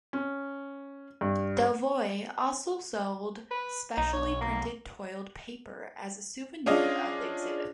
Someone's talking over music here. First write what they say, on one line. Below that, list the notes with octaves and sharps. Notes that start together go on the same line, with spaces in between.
Delvoye also sold specially printed toiled paper as a souvenir of the exhibit.
C#4
G2
B4
B1 D#4
C#5
A#3
C#4 D4 F4 G#4 D#5 F5